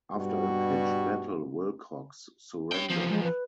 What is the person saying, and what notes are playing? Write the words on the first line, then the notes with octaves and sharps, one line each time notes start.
After a pitched battle, Wilcox surrendered.
G2 B2 G3 F#4
C#5 G5
E2 F3
G#3
B4